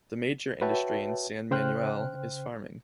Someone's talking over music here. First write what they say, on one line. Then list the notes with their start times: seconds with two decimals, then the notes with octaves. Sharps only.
The major industry in San Manuel is farming.
0.61 F#4 B4 C#5 E5 G5 A5
1.51 C#3 C5 G5 F6 F#6